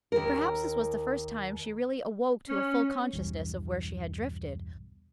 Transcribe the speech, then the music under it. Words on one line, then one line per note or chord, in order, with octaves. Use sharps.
Perhaps this was the first time she really awoke to a full consciousness of where she had drifted.
D#2 A#4
C#4
B1 E2 G2